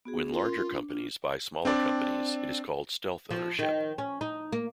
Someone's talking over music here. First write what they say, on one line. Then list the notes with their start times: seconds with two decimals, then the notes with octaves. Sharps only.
When larger companies buy smaller companies it is called stealth ownership.
0.05 B3 F#4 G#4
0.32 C#4 F4 A#4
0.68 D4
0.90 D4 F4
1.65 C4 D4 D5
3.30 F3
3.59 D#3
3.98 C#4
4.21 D#4
4.52 A#3